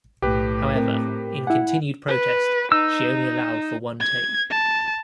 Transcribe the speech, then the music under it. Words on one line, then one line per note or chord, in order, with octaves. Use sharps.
However, in continued protest, she only allowed for one take.
B1 A2 G4 B4
C4 A#4
E4 F#5 G#5
B4
D#4 E6
G#6
A5